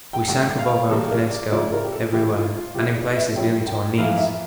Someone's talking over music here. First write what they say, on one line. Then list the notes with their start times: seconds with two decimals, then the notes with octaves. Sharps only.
We sank above our finnesko everywhere, and in places nearly to our knees.
0.13 G5
0.28 G2 D3 A3 G5
0.59 F5
0.89 C#3 E3 G3 A#3 A4
1.11 A#4
1.30 D5
1.52 C#3 F3 A3 C#4 E4 D5
1.72 A#4
1.84 G4
1.92 A4
2.13 C#3 E3 A3 E4 G4
2.34 F4
2.55 F4
2.74 C#3 F3 C#4 E4 G4
2.95 D5
3.16 E5
3.36 G2 F3 C#4 E4 G5
3.67 G5
3.98 F2 E3 A#3 E4 F5
4.18 E5